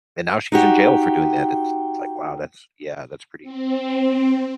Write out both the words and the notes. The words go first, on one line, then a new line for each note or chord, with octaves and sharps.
and now she's in jail for doing that, it's like, wow, that's yeah, that's pretty
D#4 F#4 G4
C4